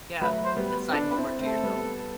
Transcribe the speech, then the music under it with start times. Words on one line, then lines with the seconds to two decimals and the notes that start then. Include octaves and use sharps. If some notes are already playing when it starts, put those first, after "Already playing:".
Yeah. Assign homework to yourself.
0.21 F#3 A3 B4
0.45 C5
0.57 G3 B3
0.69 B4
0.88 C4
0.92 B3 D4 A4
1.11 B4
1.16 C4 E4
1.39 A3 C4
1.46 A4
1.63 G3 B3